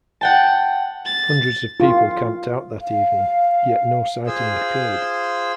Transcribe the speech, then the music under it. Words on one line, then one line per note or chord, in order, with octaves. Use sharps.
Hundreds of people camped out that evening yet no sighting occurred.
F#5 G5 A5
A6
F4
F5
F4 G#4 C5 E6